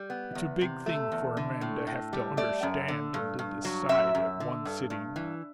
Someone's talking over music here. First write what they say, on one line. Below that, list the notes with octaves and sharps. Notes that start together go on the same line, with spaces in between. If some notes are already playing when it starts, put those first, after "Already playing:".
It's a big thing for a man to have to understand and to decide at one sitting.
Already playing: G3
B3
E2
C3
A3
E2
D3
A2
A2
G3
A3 D5
F#2
D3
G2
G2
F#3
F#2 E5
F#2
D3
G2
G2
E3